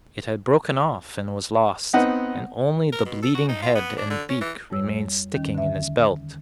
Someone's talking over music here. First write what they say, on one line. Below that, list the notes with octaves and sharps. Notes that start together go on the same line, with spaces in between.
It had broken off and was lost, and only the bleeding head and beak remained sticking in his belt.
B3 C4 D#4 D#5 F#5
A#4
B2
A4
F#4
D#4
F4
B3
D4
D3
C#4
E3
F2 G3 C#5 E6
D#2 D#3 C#4
D3 E5